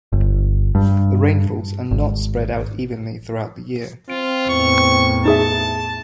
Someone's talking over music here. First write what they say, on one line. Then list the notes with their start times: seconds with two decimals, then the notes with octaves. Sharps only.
The rainfalls are not spread out evenly throughout the year.
0.13 G1
0.75 G2
1.91 G#1
4.10 C4 F4 D7
4.50 E2 A2 C#6
5.26 D#4 G#4 E5 A5